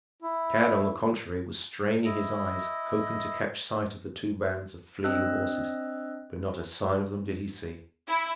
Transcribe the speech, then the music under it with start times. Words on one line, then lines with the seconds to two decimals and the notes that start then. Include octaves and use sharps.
Tad, on the contrary, was straining his eyes, hoping to catch sight of the two bands of fleeing horses; but not a sign of them did he see.
0.22 E4
2.05 E4 D#5
5.04 C4 D4 D#5 E6 F#6
8.07 E4